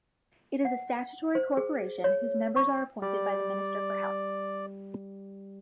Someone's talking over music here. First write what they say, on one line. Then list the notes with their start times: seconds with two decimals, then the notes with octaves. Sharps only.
It is a statutory corporation whose members are appointed by the Minister for Health.
0.65 F#5
1.35 C5
1.57 G#4
2.04 C#5
2.56 C#6
3.02 G3 D5